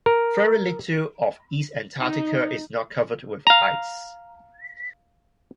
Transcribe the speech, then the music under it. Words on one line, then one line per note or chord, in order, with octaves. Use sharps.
Very little of East Antarctica is not covered with ice.
A#4
D#4
F5 A#5